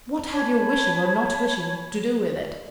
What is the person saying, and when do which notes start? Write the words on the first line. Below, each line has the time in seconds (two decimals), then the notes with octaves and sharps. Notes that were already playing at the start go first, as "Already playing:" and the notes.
What had your wishing or not wishing to do with it?
0.32 C#5 G#5 A5 B5